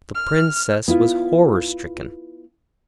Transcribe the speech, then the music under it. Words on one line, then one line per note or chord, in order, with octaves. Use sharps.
The Princess was horror-stricken.
F6
B3 E4 F4